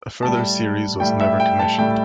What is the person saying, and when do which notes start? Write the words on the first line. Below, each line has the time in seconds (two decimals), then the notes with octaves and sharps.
A further series was never commissioned.
0.23 A2 G3 A5
1.00 A2 G3 G5
1.20 E5
1.40 G5
1.59 A5
1.78 A2 G3 G5